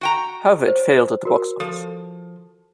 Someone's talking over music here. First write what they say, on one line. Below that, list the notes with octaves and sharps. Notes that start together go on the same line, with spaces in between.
However, it failed at the box office.
F#4 G5 A#5
C5
F#4 A#4
F3 A4